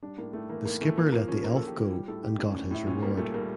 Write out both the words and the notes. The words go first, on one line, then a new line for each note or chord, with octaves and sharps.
The skipper let the elf go and got his reward.
G3 D4
A2 A#3
A2 A3
E3 A#3
A2 A#3
E3 A3
F3 A#3
F3 A#3
F3 C#4
F3 A#3
A4
F3
G4
F3 F4
G3 G4
A2 A4
A2 G4
A2 D4
C#4
A2
A2 E4
A#2 C#4
G3 A#3
A#2 A3
G3 A#3